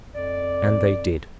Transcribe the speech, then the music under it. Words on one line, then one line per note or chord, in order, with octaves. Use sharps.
And they did.
F2 D5